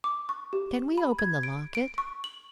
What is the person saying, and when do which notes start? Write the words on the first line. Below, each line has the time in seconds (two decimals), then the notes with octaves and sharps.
Can we open the locket?
0.04 D6
0.29 C#6
0.53 G4
0.98 B5
1.19 G#6
1.43 D7
1.75 D7
1.98 C#6
2.24 F#7